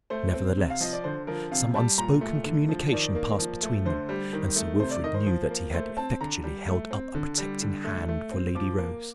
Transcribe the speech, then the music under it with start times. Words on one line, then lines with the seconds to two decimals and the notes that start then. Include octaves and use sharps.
Nevertheless, some unspoken communication passed between them, and Sir Wilfrid knew that he had effectually held up a protecting hand for Lady Rose.
0.10 A3 C5
0.34 C4
0.57 C3
0.70 F5
0.80 F3 D#5
0.93 D5
1.04 D3 C5
1.27 F3 A#4
1.51 C3 F5
1.75 G3 A5
1.98 A#2 A#5
2.21 A3
2.45 D3
2.69 F3
2.92 D#3 D5
3.15 A#3
3.39 F3
3.63 A3
3.85 D3 C5
4.09 G3
4.33 D#3
4.56 A3
4.80 C3 C5
4.91 D5
5.04 D#3 D#5
5.14 C5
5.26 F3
5.50 A#3
5.74 A3 C5
5.97 C4 A5
6.21 D3 A#5
6.44 G3
6.68 A3
6.91 C4
7.15 D3
7.38 G3
7.62 D3
7.84 A3
8.09 A3
8.31 C4
8.55 F3 D6
8.78 A#3